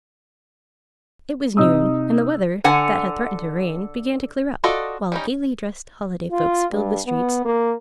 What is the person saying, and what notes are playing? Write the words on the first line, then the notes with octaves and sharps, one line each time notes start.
It was noon; and the weather, that had threatened rain, began to clear up, while gaily dressed holiday folks filled the streets.
C3 D#4 D#6 E6
D3 F#5 G#5
F4 F#4 A4 D5 D#5
G3 C#4 D#4
F4
G2
B3
A#3